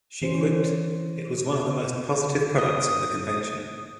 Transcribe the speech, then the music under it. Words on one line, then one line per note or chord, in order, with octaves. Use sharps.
She quipped, It was one of the most positive products of the convention.
E3 C#4 C5
D#6